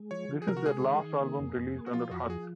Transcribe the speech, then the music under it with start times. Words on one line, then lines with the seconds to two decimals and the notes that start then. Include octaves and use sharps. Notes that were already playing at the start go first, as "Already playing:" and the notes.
This is their last album released under Hut.
Already playing: G#3
0.11 F3 C#5
0.29 F3
0.42 G#4
0.47 C3 A#4
0.57 F#4
0.66 G#3 G#4
0.83 D#3
1.02 D#3
1.20 A#3
1.39 F2
1.57 F2
1.75 A#3
1.86 F#4
1.93 F3 F4
2.11 F2 F#4
2.29 F3 G#4